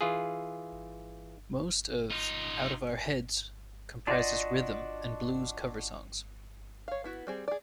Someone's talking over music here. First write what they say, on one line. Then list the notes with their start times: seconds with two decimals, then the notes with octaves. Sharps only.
Most of "Out of Our Heads" comprises rhythm and blues cover songs.
0.01 E3 F4 G#4
2.11 D#4 F4
4.07 D4 F4 F#4 D5 D#5
6.88 C#5 F5
7.04 B3 E4 F#4
7.27 G3 C4 G#4
7.48 G#4 D5